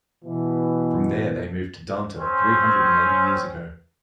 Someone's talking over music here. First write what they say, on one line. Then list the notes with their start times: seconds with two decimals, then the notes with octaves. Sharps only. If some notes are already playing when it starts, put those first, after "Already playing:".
From there they moved to Danta three hundred and eighty years ago.
0.24 B2 E3
2.17 C4 C#4